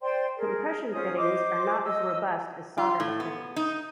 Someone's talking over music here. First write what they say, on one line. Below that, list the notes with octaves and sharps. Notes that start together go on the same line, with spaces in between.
Compression fittings are not as robust as soldered fittings.
C5 D5 G5 C6
G#4 A#4
C#4 F4 C5 D#6
C5 D#5 D6
D#5 E6
F4
A2
B3
D#4